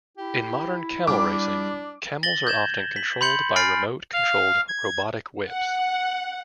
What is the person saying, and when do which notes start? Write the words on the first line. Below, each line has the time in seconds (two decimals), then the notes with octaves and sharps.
In modern camel racing, camels are often controlled by remote controlled robotic whips.
0.17 E4 G4
1.07 G3 D4 D6
2.23 A6 A#6 F#7 G7
2.47 G6 G#6 E7
2.96 B6 F#7
3.21 B5 C6 G6 C#7 F#7
3.56 G#5 B5 F6 A6 C7 D7
4.13 F5
4.68 G#6
5.48 F#5